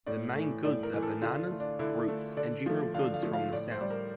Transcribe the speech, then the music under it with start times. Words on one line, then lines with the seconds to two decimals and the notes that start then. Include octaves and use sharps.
The main goods are bananas, fruits and general goods from the south.
0.06 A2 D5
0.35 E3 A3
0.64 A2 D5
0.83 A#4
0.93 E3 A3
1.03 A4
1.22 D3 F4
1.51 A3
1.60 D4
1.79 D3 E4
2.08 A3
2.37 D3 D5
2.66 F3 A3
2.94 D3 F5
3.14 F5
3.23 F3 A3
3.33 F5
3.51 A2 D5
3.71 C5
3.81 G3
3.90 A#4